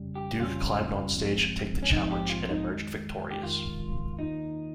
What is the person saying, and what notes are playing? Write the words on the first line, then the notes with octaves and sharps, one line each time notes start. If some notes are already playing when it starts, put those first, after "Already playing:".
Duke climbed on stage to take the challenge, and emerged victorious.
Already playing: G1 F2 C#3 G3 C#4
G4
G1 F2 C#3 G3 C#4 F4
A#1 G#2 F3 G#3 C4
C#4
A#1 G#2 F3 G#3 C4 D#4
G4
F4
D#4
F2 D#3 G#3
G4
F2 D#3 G#3 F4
D#2 D#3 A#3 D#4 F4